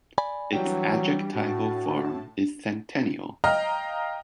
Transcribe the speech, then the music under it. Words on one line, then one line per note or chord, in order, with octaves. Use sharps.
Its adjectival form is centennial.
D5 G#5 B5
E3 F#3 G3 D4 G5
A2 F#4 A5
D#5 F5 G5 A#5 F6